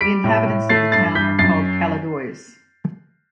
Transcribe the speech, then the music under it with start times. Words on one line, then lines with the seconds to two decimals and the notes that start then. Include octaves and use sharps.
The inhabitants of the town are called "Caladois".
0.01 G3 B6 D7
0.24 A2
0.46 A2
0.69 A3 A6 C7
0.92 G2 A6 C7
1.15 G2 G6 B6
1.39 F#2 A6 C7